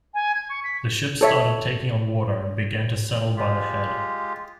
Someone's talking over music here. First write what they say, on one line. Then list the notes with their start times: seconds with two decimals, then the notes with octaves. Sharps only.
The ship started taking on water and began to settle by the head.
0.14 G#5
0.35 G#6
0.50 C#6
0.64 B6
1.21 A4 C#5 E5
3.37 G#3 F4 G4